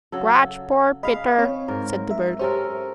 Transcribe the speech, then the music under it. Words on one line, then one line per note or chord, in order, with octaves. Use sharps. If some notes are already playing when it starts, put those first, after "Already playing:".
"Scratch poor Peter," said the bird.
C#3 F#3 A4
G#4 D#5 F5 B5
C4 C#5
G#2 A#4
E5
C#4 G4 A4 A#4 C5